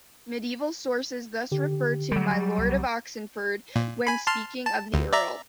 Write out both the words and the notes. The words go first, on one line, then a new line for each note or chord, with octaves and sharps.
Medieval sources thus refer to 'my lord of Oxenford' when speaking of the earl.
D3 G4
F#3 G3
C2
A#2
G#5 B5
A5 C6 F6
A5
D2
D5 E5 A#5